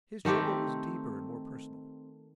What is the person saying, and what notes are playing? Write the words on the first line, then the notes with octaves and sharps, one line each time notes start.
His trouble was deeper and more personal.
D#3 A3 C4 G4